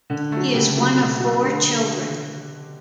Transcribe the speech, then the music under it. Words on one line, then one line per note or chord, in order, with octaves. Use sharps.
He is one of four children.
D3
F#3 A3
C#3 G4
F#3 A3
B2 F#4
F#3 A3
D3 G4